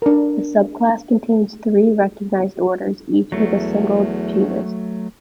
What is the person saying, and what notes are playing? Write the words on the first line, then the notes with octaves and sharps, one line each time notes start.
The subclass contains three recognized orders, each with a single genus.
D4 A#4
E2 F#3 A3